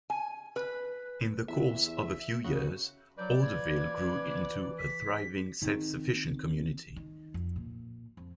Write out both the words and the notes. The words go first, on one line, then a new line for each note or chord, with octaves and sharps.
In the course of a few years, Orderville grew into a thriving, self-sufficient community.
G#5
B4
E2 E5
C#3 F#4
F3 F#3 B4 D5 G6
E3 G#6
B6
D#3 C4
D#3
F2
A#2
F2